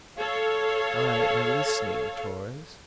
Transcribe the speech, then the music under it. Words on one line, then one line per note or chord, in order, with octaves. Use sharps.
"I am listening, Torres."
A4 C#5 F5